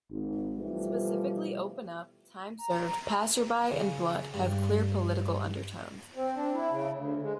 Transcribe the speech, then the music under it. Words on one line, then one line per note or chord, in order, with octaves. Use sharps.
Specifically, "Open Up", "Time Served", "Passerby", and "Blood" have clear political undertones.
G#1
B2 E3 F3 G3 A3
A#5
C#3
G2
C4
D4
E4
C#3
D2
G#3